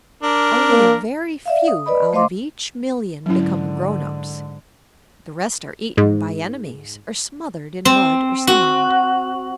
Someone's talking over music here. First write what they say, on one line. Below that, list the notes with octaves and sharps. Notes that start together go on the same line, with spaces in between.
Only a very few out of each million become "grown-ups"--the rest are eaten by enemies, or smothered in mud or sand.
D4 A#4
A#3
D5 E5 F5
D#6
B4 D5 D#5 B5
A3 C5 D#5 F5 C6 D6
G#2 D3 F#3 C#4 E4
G#2
C4
F#4